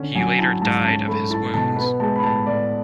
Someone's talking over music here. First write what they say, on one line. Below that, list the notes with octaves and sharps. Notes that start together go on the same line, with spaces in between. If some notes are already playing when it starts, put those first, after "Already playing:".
He later died of his wounds.
Already playing: D3 C#4
F#3 G#5
E4 A5
G#2 A5
C#4 A5
A3 B5
E4 A5
B2 A5
B3 B5
G#3 A5
B5
A2 A5
A2 D5